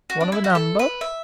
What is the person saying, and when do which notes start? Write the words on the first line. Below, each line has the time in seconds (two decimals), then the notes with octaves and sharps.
One of a number?
0.10 F#4
0.21 D4
0.32 E4
0.44 F#4
0.50 G4
0.55 A4
0.79 B4
1.01 E5